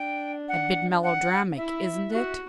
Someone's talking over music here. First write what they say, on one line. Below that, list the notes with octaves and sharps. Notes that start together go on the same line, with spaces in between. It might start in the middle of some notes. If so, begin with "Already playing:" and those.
A bit melodramatic, isn't it?
Already playing: D4 G5
F#5
F#5
E4 E5
F#4